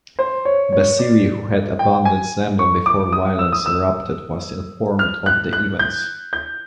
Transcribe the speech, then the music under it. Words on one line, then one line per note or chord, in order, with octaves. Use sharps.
Bassiri, who had abandoned Zemla before violence erupted, was informed of the events.
C5
C#5
C#5
D5
G5
G#5
C#6
D6
D#6
E6
D#6
E6
F6
F#6
F#6
G6
G6